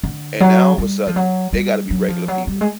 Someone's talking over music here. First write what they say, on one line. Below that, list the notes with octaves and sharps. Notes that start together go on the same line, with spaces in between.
and now, all of a sudden, they gotta be regular people,
D3
F#3
G3
F3
F#3
G3
F#3
F3
F#3
G3
G#3